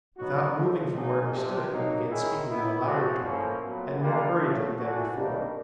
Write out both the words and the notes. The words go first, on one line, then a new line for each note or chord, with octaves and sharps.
Without moving from where he stood he began speaking in a louder tone and more hurriedly than before.
F#3 B3 D#4 F#4
C#3 F3 A3
B2 F#3 A#3 D#4 G#4
C3 F3 A3 D4 G4
F#3 A#3 D#4
D#3 G#3 C#4 E4 G#4
G#3 B3 E4
A2 F3 A3 C#4 F#4
F3 A#3 C#4 E4 A4
A#2 F#3 B3
G3 A#3 D4 F4 A4
C#3 F#3 A3
E3 A3 D4 F#4
D#3 G3 A#3 D4